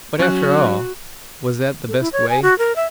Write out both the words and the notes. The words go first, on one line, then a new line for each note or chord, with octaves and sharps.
But, after all, was that the best way?
F#3 C#4 F#4 F#6
A4
E4
C#5
G#5
F#4
A#4
E5